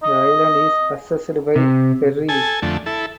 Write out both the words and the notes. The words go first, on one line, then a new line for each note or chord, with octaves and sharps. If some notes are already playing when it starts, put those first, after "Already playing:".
The island is accessed by ferry.
D#5
C3
A4 G#5
F2 D3 A3
E4 A4